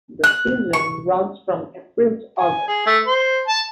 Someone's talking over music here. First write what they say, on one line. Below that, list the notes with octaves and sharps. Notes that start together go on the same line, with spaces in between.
The season runs from April to August.
F#6
C#6
G#5
G#4
A3
C5
A5